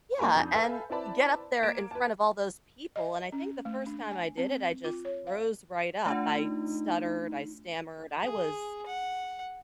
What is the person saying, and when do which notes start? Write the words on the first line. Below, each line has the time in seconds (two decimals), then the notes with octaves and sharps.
Yeah, and get up there in front of all those people, and I think the first time I did it, I just froze right up, I stuttered, I stammered, I was
0.18 G2 A#3 G#5 A#5 C#6
0.35 F2 D4 D#4 G6
0.54 A4 B4 E5 F5 G#5 B5
0.90 C4 E4 B4 D5 A5 B5
1.63 A#3 G#6 D7 E7
1.91 B4 A5
2.96 D#5
3.32 C#4
3.65 A3
3.86 D4
4.11 G#5
4.37 C4
4.85 F4
5.05 C#5
5.27 F5
6.06 A3 D4 F4 F#5
6.39 D#4
8.22 G#4
8.87 F#5